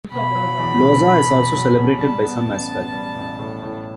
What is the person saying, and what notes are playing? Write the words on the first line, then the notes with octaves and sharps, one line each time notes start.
Losar is also celebrated by some as well.
B2 B5
F#3
E2
B2
B2
B2
F#3
B2
G3 A5
B3
A1
B3
G3
A1
A2
A2